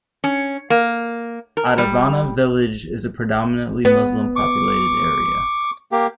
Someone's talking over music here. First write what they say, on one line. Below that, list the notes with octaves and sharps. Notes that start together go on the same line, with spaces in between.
Edavanna village is a predominantly Muslim populated area.
C#4
A#3
A#4
G3
B3
C#6 D6
A#3 G4